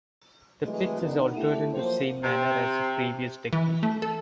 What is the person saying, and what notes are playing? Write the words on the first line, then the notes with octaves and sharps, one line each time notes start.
The pitch is altered in the same manner as the previous technique.
C3 E3 F#3 G#3 A3
D#3 B3 D4
A3 E4 G4
F3 F#3 A#3 C5
C3
E3
A3
A4